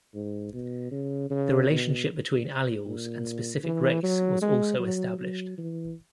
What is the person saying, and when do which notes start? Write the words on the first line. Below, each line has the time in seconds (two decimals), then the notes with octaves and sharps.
The relationship between alleles and specific race was also established.
0.14 G#2
0.53 B2
0.91 C#3
1.30 C#3
1.69 B2
2.86 A#2
3.64 E3
4.03 F#3
4.42 G#3
4.79 F#3
5.18 F#3
5.57 E3